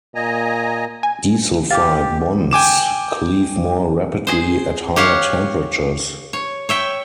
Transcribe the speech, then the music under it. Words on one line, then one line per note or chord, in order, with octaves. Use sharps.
Disulfide bonds cleave more rapidly at higher temperatures.
A#2 D#5 G#5 A#5
G#5
G4 F5 D6 A6
G5 G#5 D6 E7
G#4 C5
G4 C#5 F5 F#5
C#5
C#5 E5 G5